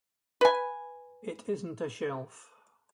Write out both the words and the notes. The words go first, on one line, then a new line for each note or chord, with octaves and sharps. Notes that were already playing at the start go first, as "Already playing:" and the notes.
It isn’t a shelf.
B4 G#5